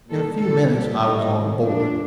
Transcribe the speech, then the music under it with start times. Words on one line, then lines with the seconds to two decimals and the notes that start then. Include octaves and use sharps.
In a few minutes I was on board.
0.10 A#2 G3 A4
0.41 A#2 G3 A4
0.72 A#2 G3 G4
1.03 A#2 G3 D#4
1.34 C3 D#3 G3
1.64 A#2 F3 D4